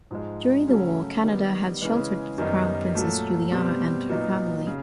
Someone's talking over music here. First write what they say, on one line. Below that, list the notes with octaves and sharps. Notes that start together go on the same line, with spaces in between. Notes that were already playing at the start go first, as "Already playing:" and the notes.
During the war Canada had sheltered Crown Princess Juliana and her family.
G#2 F3 G#3
C#3 F#3 A3 C#4
D#3 G3 B3
C#3 E3 G#3
F#2 D#3 G3 B3 D#4
A#2 F#3 A3
B2 G3 C4
A#2 F#3 B3 D#4
C#3